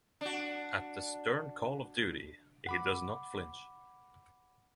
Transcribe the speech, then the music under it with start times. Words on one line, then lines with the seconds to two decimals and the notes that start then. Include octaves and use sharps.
At the stern call of duty he does not flinch.
0.21 D4 F#4
2.67 F#5 B5 D6